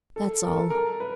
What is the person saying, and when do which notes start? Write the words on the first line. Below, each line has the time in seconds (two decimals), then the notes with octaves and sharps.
That's all.
0.16 A4
0.44 A#4
0.57 A4
0.70 A#4
1.00 B4